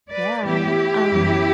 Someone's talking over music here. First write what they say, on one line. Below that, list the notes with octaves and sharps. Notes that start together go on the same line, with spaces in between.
Yeah, um,
B4 D5
A2 E3 B3 E4 G4
F#2 E3 B3